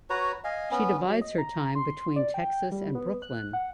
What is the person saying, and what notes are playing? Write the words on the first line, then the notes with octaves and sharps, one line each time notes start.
She divides her time between Texas and Brooklyn.
F#4 B4 C#5 A#5
D#5 F5 G#5
B3 C#4
F#3
D#5
A#5
C6
D5
G5
G3
B3
F#6
F#5